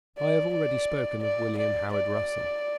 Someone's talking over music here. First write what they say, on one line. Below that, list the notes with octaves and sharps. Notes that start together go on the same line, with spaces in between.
I have already spoken of William Howard Russell.
D5
D5
D5
D5
D5